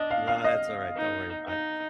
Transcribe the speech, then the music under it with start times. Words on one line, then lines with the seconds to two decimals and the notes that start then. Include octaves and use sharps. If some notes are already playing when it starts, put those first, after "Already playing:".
No, that's alright. Don't worry about it.
Already playing: D4 D#5
0.11 F5
0.28 F5
0.44 D#5
0.96 D#4
1.47 D#4